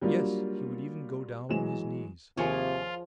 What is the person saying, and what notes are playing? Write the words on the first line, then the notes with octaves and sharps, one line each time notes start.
"Yes, he would even go down on his knees."
F#3 G3 A#3 D4 F4
E3 F#3 G#3 E7
D#2 C3 F3 F4 G#4 C#5 G#5